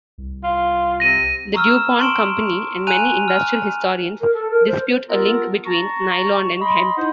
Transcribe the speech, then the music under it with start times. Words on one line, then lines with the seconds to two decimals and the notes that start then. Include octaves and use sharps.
The DuPont Company and many industrial historians dispute a link between nylon and hemp.
0.18 C2
0.44 F4
1.00 C3 A#6 D#7
1.54 A#5 C#6 E6 F6
1.71 E7
1.99 A5 C6 C#6 D7 E7
2.87 G#5 A#5 F#6 D#7 F7
3.28 F6
4.21 A#4
4.34 A4
4.51 A#4
4.67 C5
5.09 B3 F4 A4 A#4
5.66 A5 A#5 C#6
6.61 D#5 B5 C6
6.96 D#4 E4 C5 D#5 F#5